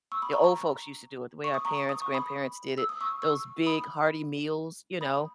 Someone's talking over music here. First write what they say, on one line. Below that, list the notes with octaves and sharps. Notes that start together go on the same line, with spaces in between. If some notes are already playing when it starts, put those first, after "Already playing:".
the old folks used to do it, the way our parents, grandparents did it, those big hearty meals, you know,
C#6 E6
B5 D#6
A#5 C#6
A#5 C#6
C#6
D#6
A#5 C#6
D#6
C#6
B5 D#6
E6
D#6
C#6 E6
C#6 E6
B5 D#6
B5 D#6